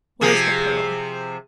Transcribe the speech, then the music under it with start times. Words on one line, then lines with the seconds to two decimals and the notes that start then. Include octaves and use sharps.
Where's the Pearl?
0.21 C3 F3 G#4